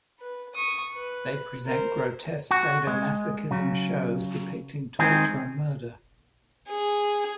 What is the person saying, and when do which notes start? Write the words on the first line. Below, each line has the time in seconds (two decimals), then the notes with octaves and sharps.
They present grotesque sadomasochism shows depicting torture and murder.
0.19 B4
0.55 C#6 D#6
0.94 B4
1.66 A#4 C5
2.51 F#4
2.87 G#3
3.51 C#3 F#3
4.99 D#3 G#3 C4 G#4
6.69 G#4